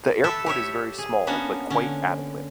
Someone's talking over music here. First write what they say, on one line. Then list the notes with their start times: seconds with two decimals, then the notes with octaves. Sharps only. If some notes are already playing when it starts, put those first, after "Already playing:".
The airport is very small but quite adequate.
0.24 G4 A4 B4 E5
0.46 G4 C#5 E5
0.98 G#4
1.27 A#3 B3 C#4 D4 F#4
1.70 D3 C#4